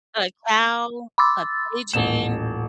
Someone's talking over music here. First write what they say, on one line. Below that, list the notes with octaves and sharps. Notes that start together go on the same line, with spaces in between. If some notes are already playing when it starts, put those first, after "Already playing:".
a cow, a pigeon,
B5 C6 D6 E6 A6
D#1 A1 E7